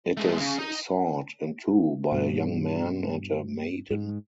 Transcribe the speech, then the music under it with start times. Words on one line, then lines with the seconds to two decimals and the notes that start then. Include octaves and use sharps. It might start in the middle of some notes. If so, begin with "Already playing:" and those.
It is sawed in two by a young man and a maiden.
0.17 G#3 A3
0.40 C#3
0.58 D#4 D#5
2.12 G2 B2
3.90 G#2